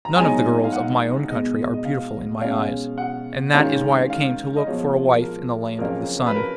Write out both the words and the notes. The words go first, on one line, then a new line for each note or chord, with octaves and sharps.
'None of the girls of my own country are beautiful in my eyes, and that is why I came to look for a wife in the land of the sun.
A#5
G#2 F#3 B3 D#4 G#5
F5
F#5
B2 G#3 B3 D#5
D#5
F5
B2 G#3 C#4 F5
F#5
G#2 D#3 A#3 C#4 A#5
F5
D#5
A#2 F3 G#3 B3 C#5
A#4
F2 C#3 F#3 A#3 C#4 A#4
B4
A#4